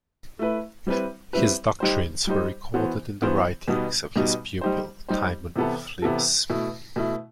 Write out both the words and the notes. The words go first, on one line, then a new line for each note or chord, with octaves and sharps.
His doctrines were recorded in the writings of his pupil Timon of Phlius.
A3 E4 B4
G3 C4 E4 B4
G3 C4 E4 B4
G3 D#4 G4 C5
G3 D#4 G4 C5
E3 B3 F#4 C5
E3 B3 F#4 C5
B2 G3 B3 D#4
B2 G3 B3 D#4
G3 D#4 G4 C5
G3 D#4 G4 C5
C3 E3 B3 E4 A4
C3 E3 B3 E4 A4
B2 A3 E4
B2 A3 E4